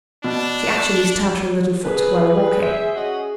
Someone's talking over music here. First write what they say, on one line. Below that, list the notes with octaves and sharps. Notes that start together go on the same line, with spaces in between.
She actually stamped her little foot while walking.
B2 D4
G#4 B4
C5 E5
C#4 F#4 D#5